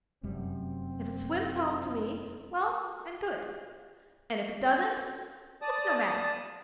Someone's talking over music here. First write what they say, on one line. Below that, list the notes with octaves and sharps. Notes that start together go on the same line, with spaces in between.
If it swims home to me, well and good; and if it doesn't, it's no matter.'
F1 F#2 G3 C4
D5 A5 D#6